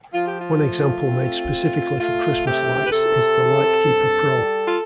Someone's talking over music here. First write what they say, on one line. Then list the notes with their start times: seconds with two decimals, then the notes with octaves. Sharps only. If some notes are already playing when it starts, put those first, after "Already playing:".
One example made specifically for Christmas lights is the LightKeeper Pro.
0.12 F3 F4
0.26 G4
0.40 F4
0.59 A3
1.06 C4
1.53 A3
1.99 A3 F4
2.45 C3 G4
2.84 B4
2.92 C3 A4
3.39 C4
3.85 G2
4.32 G3
4.66 F4